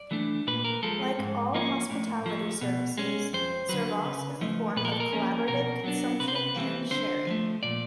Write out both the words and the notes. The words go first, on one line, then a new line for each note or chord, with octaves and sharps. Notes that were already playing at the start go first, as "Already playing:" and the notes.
Like all hospitality services, Servas is a form of collaborative consumption and sharing.
Already playing: D5
E3 A3 D4
A#2 B4
A#4
F3 G#3 A4
G#2
F3 A#3 C#4
A2
F3 A3
B2
G#3 C#4
F2 C5
D3 F#3 B4
C#3
F3 A3
A#2 B4
A#4
A4
A#4
F3 A#3 C#4
B2 A#4
F#3 B3 D4
C3 B4
C5
B4
E3 G3 C4
D3 C5
F3 A3
A#2 D5